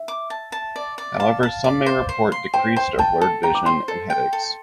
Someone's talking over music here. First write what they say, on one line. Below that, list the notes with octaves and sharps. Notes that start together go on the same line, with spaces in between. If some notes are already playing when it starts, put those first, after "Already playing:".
However, some may report decreased or blurred vision, and headaches.
Already playing: E5
D6
A5
A5
D5
D5
F5 A5
A5
D5
C5
C5
C6
C5 G5
C5 G5
G5 A5
A4 A5
G5 A#5
D6
C5 C6
A4
G5
A4